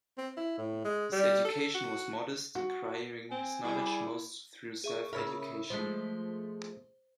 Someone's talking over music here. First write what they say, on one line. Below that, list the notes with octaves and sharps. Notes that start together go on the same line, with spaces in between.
His education was modest, acquiring his knowledge mostly through self-education.
C4
E4
A2
G#3
G3
A4
F#4
F#4
C4 G#5
G3 E4 G#4
G#4 E5 C#6
C#3 C#4 A#4 E5 B5 E6
F3 G#3 A3 C5